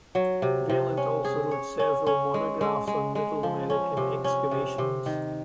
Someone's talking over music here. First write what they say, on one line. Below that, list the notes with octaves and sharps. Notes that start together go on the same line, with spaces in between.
Vaillant also wrote several monographs on Middle American excavations.
F#3
C3
C3
C#4
G#4
C#5
C#4
C#4
G#3
G#3
G#3
G#3
F3
C#4
C3
C#4
C3
C3
D#3